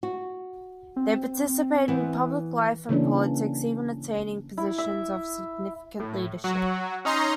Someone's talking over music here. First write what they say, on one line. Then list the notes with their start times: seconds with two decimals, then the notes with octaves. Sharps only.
They participated in public life and politics, even attaining positions of significant leadership.
0.03 F#4
0.96 C4
1.88 E3 B3 F#5
2.89 C#3 E3 A#3 C#4 D4
4.58 E4
4.78 E5
6.00 A2
6.44 F#3 F#4
7.05 C#4 D#4 A#5 C6